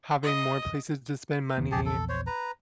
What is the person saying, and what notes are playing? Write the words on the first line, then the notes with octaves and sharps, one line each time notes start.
having more places to spend money,
D#5
E1 D#3 B3
A#1 E2 G4 G#4 A5
A4
C5 C#5
B4 A#5